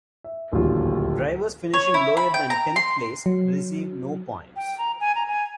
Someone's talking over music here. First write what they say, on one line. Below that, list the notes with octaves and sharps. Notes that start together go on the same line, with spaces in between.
Drivers finishing lower than tenth place receive no points.
E5
D1 A#1 D#2 F#3 G3 F4
C#5
E4
B5
G5
A#5
C6
F#3
G5
A#5
G#5
A#5
G#5